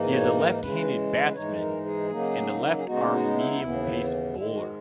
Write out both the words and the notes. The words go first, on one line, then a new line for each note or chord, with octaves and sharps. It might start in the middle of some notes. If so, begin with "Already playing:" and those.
He is a left-handed batsman and a left-arm medium-pace bowler.
Already playing: G#2 E3 A#3 D#4
C#5
A#4
C#3 E3 G#3 B4
B4
G#2 E3 G#3 D#4 C#5
A#4
G#4
C#3 F#3 A#3 D#4
G#4
C#3 G#3 B3 D#4 F#4
F#4
E4
D#2 C#3 E3 B3
G#2 D#3 G#3 E4
F#4